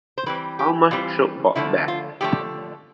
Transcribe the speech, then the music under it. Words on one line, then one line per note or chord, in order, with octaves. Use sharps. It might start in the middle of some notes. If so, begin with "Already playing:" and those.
How much should Bob bet?
C5
E3 G3 C4 B4
G4
E3 G3 C4 F4
D3 F3 A3 E4
F4
D3 F3 A3 G4